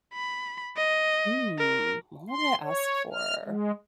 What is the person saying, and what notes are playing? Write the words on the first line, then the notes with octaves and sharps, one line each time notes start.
Hmm, what would I ask for?
B5
D#5
A#4
C6
C#5
F6
G#3